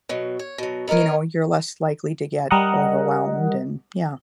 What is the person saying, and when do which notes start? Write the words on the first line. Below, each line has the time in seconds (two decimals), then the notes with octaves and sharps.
you know, you're less likely to get overwhelmed and, yeah.
0.09 B2 F#3
0.39 C#5
0.58 B2 F#3
0.87 B3 D#4 A4 A#4 C#5
2.51 G3 A#4 D#5 F#5